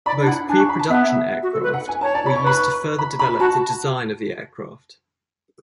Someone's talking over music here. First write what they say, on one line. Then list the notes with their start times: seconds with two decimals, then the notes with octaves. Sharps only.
Both pre-production aircraft were used to further develop the design of the aircraft.
0.06 D5 B5
0.21 D4
0.27 E4 F#5
0.48 D4 G#5
0.59 C#6
0.69 B5
0.79 A5
0.89 B3 E5
1.43 F#4
1.53 A4
1.63 B4
1.74 F#5
1.88 G#5
2.01 C#5 A5
2.14 D5 A5
2.26 B5
2.30 C#5
2.36 C#6
2.43 B4 B5
2.57 C#6
2.98 B5
3.19 B5
3.40 F#4 A5